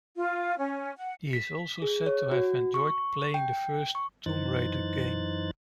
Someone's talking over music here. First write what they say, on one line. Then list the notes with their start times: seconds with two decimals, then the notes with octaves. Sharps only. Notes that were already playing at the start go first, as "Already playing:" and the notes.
He is also said to have enjoyed playing the first "Tomb Raider" game.
0.17 F4
0.58 C#4
0.97 F#5
1.33 B6
1.82 G#4
2.06 C#5
2.32 F#4
2.74 C#6
3.34 G5
3.95 C#6
4.26 F#2 E3 D#4 C5 F#6 A6